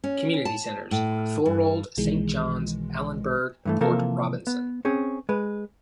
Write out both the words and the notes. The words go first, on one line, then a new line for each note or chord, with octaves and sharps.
Community centres: Thorold, Saint John's, Allenburg, Port Robinson.
C#4
A5
A2
G2
B1 B2 D#3 E3 G#3
G2 E3 A3
C3 E3 F3 A#3 A4 A#4
B3
C4 C#4 G#4
G#3 B4